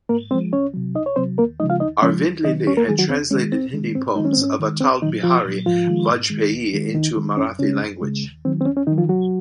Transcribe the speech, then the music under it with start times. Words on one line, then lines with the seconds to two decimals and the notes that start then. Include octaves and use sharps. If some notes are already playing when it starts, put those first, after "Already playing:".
Arvind Lele had translated Hindi poems of Atal Bihari Vajpayee into Marathi language.
0.09 G#2 A#3 A#4
0.31 F3 G#3 C4 C5
0.53 C2 C#4 C#5
0.74 C3 F#3
0.95 C2 D#4 D#5
1.06 C#5
1.16 C3 F#3 C4 C5
1.38 D#2 A#3 A#4
1.59 C#3 F3 G#3 D#4 D#5
1.70 F4 F5
1.80 D#2 D#4 D#5
2.02 C#3 F3 G#3 C#4 C#5
2.23 D#2
2.45 D#3 F#3 D#4 D#5
2.66 D#2 C#4 C#5
2.77 A#3 A#4
2.87 D#3 F#3 G#3 G#4
2.99 F#3 F#4
3.10 D#2 C4
3.31 D#3 G#3 C#4
3.52 D#2 C4
3.73 D#3 G#3
3.95 G#2 C4
4.16 D#3 G#3 D#4
4.25 C#4
4.33 C4
4.37 G#2 C#4
4.60 D#3 G#3
4.80 C2 C4
5.02 A#2 D#3 D#4
5.05 F#3
5.23 C2 F3 F4
5.45 A#2 F#3
5.66 G#2 F3 F4
5.88 D#3 G#3
6.10 G#2
6.30 D#3 G#3
6.52 D#2
6.73 D#3 G#3
6.94 D#2 D#3 D#4
7.16 D#3 G#3
7.37 F#2 C#4
7.59 C#3 G#3 C#4
7.81 F#2
8.01 C#3 G#3
8.23 D#2
8.45 D#3 F#3 C4
8.61 C4
8.65 D#2 C#4
8.77 C#4
8.87 D#3 F#3 D#4
8.98 F3 F4
9.08 C2 F#3 F#4